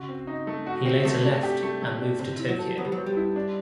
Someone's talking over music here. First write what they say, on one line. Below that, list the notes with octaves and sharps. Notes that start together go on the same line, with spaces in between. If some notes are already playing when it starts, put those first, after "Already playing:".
He later left and moved to Tokyo.
Already playing: C#3 F#4
C4
D#4
A3
F#4
C4
C3 A3
D4
G4
A3
A3
D4
C3 C5
E4
F#3
A4
F#3 B3
G3
F#3
C5
G3
E4
D4